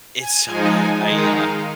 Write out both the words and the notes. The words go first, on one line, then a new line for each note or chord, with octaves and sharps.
it's so good. I, uh
G#5
F3 G#3 D#4 G#5
G#5
D#3 G#3 D#4
F5